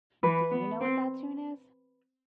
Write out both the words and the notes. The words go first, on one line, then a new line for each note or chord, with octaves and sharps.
Do you know what that tune is?
E3 B4
B3
C4